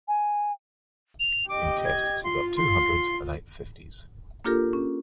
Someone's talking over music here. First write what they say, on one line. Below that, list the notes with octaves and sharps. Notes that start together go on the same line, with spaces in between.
In Tests he got two hundreds and eight fifties.
G#5
F7
G4 D#5 D6
G#6
F4 C6
C6
A#3 D4 F4 G4 A4 A#4
C#4